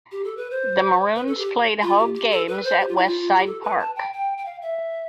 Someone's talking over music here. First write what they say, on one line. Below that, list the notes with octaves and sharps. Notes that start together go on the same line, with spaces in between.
The Maroons played home games at West Side Park.
G4
A4
B4
C5
B4
A4
G4
F4
G4
G4
A4
B4
C5
G4
F4
E4
F4
G4
A4
B4
A5
G5
G5
G5
F5
E5